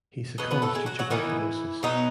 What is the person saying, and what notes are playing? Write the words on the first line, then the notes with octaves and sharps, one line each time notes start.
He succumbs to tuberculosis.
B2 F#3 B3 D#5
B3 B4
A3 A4
G#3 G#4
F#3 F#4
F#3 F#4
D#3 E3 B3 E4
B2 F#3 B3 D#4